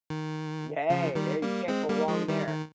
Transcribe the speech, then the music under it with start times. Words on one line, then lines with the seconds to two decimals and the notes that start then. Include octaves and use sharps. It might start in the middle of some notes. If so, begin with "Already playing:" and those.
Hey. There you can't go wrong there.
0.10 D#3
0.90 C#3 F3
1.15 D#3 G3
1.42 G3 A#3
1.68 G#3 C4
1.89 G3 A#3
2.09 F3 G#3
2.28 D#3 G3
2.48 D#3